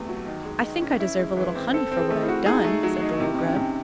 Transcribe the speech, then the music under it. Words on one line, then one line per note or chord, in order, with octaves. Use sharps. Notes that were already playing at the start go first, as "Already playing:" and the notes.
"I think I deserve a little honey for what I have done," said the little Grub.
Already playing: E2 C3 A3
F#3
D#3
G#3
D#3
C#4
E4
G#3
E3
C4
A4 C5
C4
G#4
A3
E4
F#4
D#4 G#4
A3
D#4
F#3
F#4
D#4
C3 E4
D#3 C4
C#4
C3